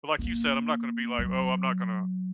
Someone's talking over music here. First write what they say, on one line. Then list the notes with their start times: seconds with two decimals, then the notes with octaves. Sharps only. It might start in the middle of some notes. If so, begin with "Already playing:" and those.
but like you said, I'm not gonna be like, "Oh, I'm not gonna
0.18 B3
0.24 A#3
1.19 F#3